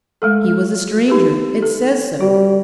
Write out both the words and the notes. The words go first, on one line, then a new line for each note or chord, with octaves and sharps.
'He was a stranger; it says so.
G#3 A3 A4
D#4 G4 B4
A4
G3 F#4